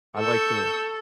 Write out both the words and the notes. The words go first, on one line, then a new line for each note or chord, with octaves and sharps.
I like to
A4 C#6 E6 G6